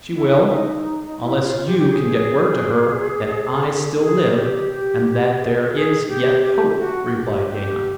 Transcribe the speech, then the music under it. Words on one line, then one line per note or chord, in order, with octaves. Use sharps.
"She will, unless you can get word to her that I still live and that there is yet hope," replied Gahan.
E4
D#4
E4
F4
G4
G4
G#4
G#4
G4
G4
G#4
A4
G#4
G4
G4
F#4
G4
G4